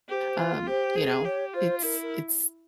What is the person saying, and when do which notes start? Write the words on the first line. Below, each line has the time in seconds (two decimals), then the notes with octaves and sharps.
um, you know, it's it's
0.09 G4 C5
0.37 F4
0.67 G4 C5
0.95 G#4
1.24 G4 C#5
1.53 F4 C5
1.83 E4 A#4
2.02 A#4